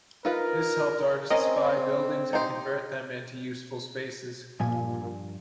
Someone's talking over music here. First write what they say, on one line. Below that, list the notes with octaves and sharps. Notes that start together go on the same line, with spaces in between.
This helped artists buy buildings and convert them into useful spaces.
D#4 F4 A#4 B4
C4 C#4 A#4 D#5
D#4 G4 C5
G2 A#2 F3 G#5